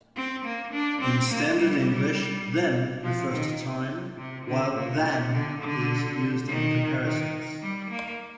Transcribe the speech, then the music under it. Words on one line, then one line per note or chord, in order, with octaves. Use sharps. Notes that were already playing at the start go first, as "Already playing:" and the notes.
In standard English, "then" refers to time, while "than" is used in comparisons.
C4
A#3
D4
C4
A#3
G3
F3
D#3
C3
D3
A#2
C3
D3
D3
D#3
D#3
G3
A#3